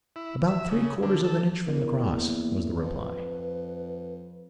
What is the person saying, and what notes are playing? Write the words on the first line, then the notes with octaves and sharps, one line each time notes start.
"About three-quarters of an inch from the cross," was the reply.
E4
E5
C#3
D3
A4
E2 A#4
A#3
F2 B4